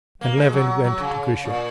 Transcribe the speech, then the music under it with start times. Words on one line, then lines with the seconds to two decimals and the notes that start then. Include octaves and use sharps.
And Levin went to Grisha.
0.21 A#3
0.37 G#3
0.53 F#3
0.84 F#3
0.99 C#3
1.45 A#2